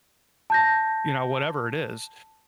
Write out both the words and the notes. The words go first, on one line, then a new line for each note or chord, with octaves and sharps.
you know, whatever it is.
A5 G6 A#6